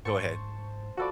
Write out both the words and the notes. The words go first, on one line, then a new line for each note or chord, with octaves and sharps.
Go ahead.
G#2 C5 A5 C#6
F3 F#4 A4 D5 E5 B5